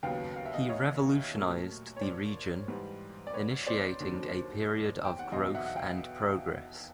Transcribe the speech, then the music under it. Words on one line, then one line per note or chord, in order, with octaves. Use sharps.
He revolutionized the region, initiating a period of growth and progress.
D#2 C#3 F#3 B3 F5 G5
F5
E5
D#5 F5
C#5 D#5
A#2 F#3 A3
C#5
C5 D5
G#2 E3 G3
D5
B4 C#5
C5 D5
D#2 D3 F#3
G5
F#5
E2 B2 F#3 D#5 F5
E5 F#5
F#5
F5 G5